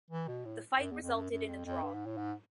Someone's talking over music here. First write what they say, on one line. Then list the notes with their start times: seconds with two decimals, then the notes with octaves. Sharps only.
The fight resulted in a draw.
0.11 E3
0.28 B2
0.45 A2
0.79 F#2
0.91 E2
1.03 F2
1.14 F#2
1.31 F#2
1.48 F2
1.66 F2
1.83 G2
1.94 G#2
2.06 A2
2.17 G#2